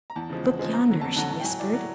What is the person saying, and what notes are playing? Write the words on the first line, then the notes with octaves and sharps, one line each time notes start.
"Look yonder," she whispered.
A#5
E2 A5
C#3 F3 G#3
E2
C#3 F3 G#3
F2 A#5
D3 F#3
F2 A5
D3 F#3 A5
A2 A5
G5
F#3 G#5
A2 D5
F#3